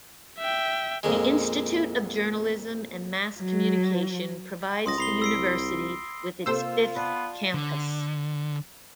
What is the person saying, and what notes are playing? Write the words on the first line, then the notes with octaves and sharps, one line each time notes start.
The Institute of Journalism and Mass Communication provides the university with its fifth campus.
E5 G5
F2 A#2 G#3
F#3
C#2 C6 D#6 A#6
C2 B5 C7 G7
E6 C7 D7
C3 A#3 F4 A4 C5 E6
B3 D5 A5
D3